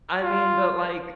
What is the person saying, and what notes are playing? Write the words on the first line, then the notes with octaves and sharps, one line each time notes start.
I mean, but like
F4